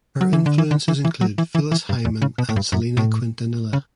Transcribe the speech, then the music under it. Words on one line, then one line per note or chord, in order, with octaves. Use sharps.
Her influences include Phyllis Hyman and Selena Quintanilla.
F#3
E3
D3
E3
D3
E3
E3
F#3
E3
E3
E3
G2
E2
C#3
B2
A2
G2
F#2
A2
C#3